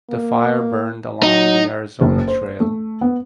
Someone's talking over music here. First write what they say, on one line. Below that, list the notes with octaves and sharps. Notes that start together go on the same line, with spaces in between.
The fire burned along the Arizona Trail.
A#3
F#3 D#4
F#1
C5
A3
B3